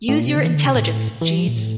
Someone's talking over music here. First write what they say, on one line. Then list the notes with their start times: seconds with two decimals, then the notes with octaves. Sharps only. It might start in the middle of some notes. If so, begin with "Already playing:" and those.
Use your intelligence, Jeeves.
0.08 A2
0.18 A#2
0.27 C3
0.36 D3
0.44 E3
0.54 D3
0.65 C3
0.76 A2
1.21 E3
1.38 F3
1.48 A#2
1.58 A2